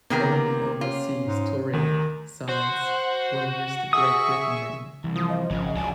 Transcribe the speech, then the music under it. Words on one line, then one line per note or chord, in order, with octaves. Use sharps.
Only overseas touring sides will use the Great Britain name.
C3 D#3 A#3 B3 A#4 G5
C#4 F4
G#2
D2 D#3
F#4 C5
G#4 E5 C#6 D#6
C2 E3
F3 D#6
D#5
G#1 C#3 F3
C#2 F#3 D4 G#5